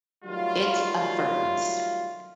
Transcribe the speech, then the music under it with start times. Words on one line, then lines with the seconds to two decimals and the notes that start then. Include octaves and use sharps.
It affirms.
0.24 D#3 F#3 G3 A3 F4